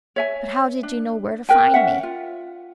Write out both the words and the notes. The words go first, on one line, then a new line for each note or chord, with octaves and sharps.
"But how did you know where to find me?"
C#5 E5 G#5
D4
A#4 B4 G5 G#5
C#4 E5 F#5
F4